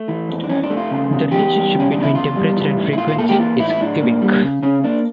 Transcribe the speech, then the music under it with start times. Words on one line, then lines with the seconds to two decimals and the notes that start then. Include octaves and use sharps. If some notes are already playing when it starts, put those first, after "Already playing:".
The relationship between temperature and frequency is cubic.
Already playing: A3
0.08 E3
0.29 F2
0.44 D4
0.49 F2 C#4
0.63 D4
0.70 A3
0.77 F4
0.91 C#3
1.11 E2
1.32 E2 G4
1.53 G3
1.73 C#3
1.80 C#4
1.92 E2 D4
2.03 E4
2.15 E2 F4
2.36 G3
2.56 E3
2.77 A2
2.93 E4
2.97 A2 F4
3.08 F4
3.18 A#3 A4
3.29 G4
3.39 E3 F4
3.59 A2 E4
3.70 E4
3.80 A2 D4
4.01 A#3
4.22 G3
4.43 C#3
4.63 C#3 C#4
4.84 A#3 D4